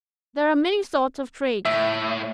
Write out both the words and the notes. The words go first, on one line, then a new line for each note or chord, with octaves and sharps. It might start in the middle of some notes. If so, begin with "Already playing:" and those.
There are many sorts of trades.
A2 E5